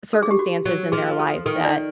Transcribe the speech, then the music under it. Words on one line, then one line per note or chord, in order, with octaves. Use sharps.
circumstances in their life that,
A4
G#4
G4
F#4
F#3
F3 G#4
A4
D#3 A4
D5